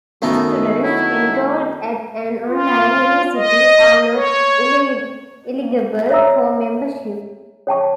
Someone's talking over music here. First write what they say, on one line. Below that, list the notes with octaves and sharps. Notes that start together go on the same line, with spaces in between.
Students enrolled at an online university are not eligible for membership.
F#2 D#3 A3 B3 D#4
F#3 E4
F4
D#5
C#5
C#5 E5 A#5 E6
C#5 G5 A5 C#6